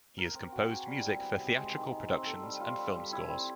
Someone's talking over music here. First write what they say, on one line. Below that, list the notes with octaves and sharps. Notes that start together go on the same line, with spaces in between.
He has composed music for theatrical productions and film scores.
A#4
C4
F#4
G#4
G3
E4
B3
C3
G#3
D#3
D#3
C4
A4
G3
F4
G3
G3
E4
C4